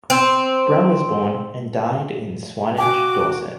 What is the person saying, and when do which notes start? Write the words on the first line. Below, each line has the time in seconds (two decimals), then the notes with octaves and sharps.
Brown was born and died in Swanage, Dorset.
0.10 C4
2.78 F#4 F5 G5 G#5 D6